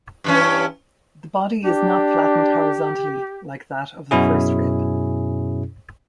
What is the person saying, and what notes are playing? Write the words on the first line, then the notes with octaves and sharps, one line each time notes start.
The body is not flattened horizontally like that of the first rib.
G2 E3 C#4
D4 G4
F#2 B2 C#4 E4 G#4